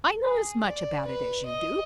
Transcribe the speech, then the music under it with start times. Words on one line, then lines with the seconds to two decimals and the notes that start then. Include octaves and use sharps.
"I know as much about it as you do!"
0.23 G#4
0.65 D5
1.06 B4
1.46 D#5